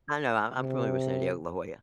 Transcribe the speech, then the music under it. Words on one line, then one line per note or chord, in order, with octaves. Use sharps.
I know. I I'm familiar with San Diego, La Jolla.
C3